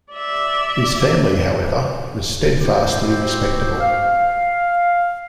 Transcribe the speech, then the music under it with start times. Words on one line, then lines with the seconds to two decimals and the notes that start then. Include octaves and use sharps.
His family, however, was steadfastly respectable.
0.13 D5 E5
2.61 C4 E4 F#4 G4 C5
3.80 F5